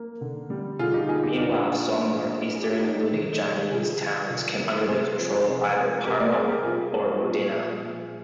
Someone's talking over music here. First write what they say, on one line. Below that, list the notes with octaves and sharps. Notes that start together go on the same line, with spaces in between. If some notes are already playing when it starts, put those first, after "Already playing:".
Meanwhile, some northeastern Lunigianese towns came under the control of either Parma or Modena.
Already playing: A#3
D3
G3
D3 F4 G#4
D#4 G4
A#3 F4 G#4
D#4 G4
A#2 D4 F4
F3
A#2
A#3
A#3 G#4
G4
F4
A#3 D#4 G4
D#3
D#3
D3 F4 G#4
F3
D3
A#3
C3 G#4 C5
F3
C3
G#3
C3 G4 A#4
A#4 D5
G3 G#4 C5
G4 A#4
C3 F4 G#4
A#3
A#2
F3
A#2